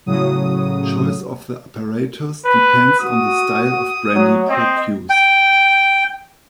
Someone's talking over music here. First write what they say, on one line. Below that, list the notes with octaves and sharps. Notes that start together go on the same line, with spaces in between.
Choice of the apparatus depends on the style of brandy produced.
A2 C#3 F#3 D#6
B4
F#4 D#6
F#3
C4 D#5
G5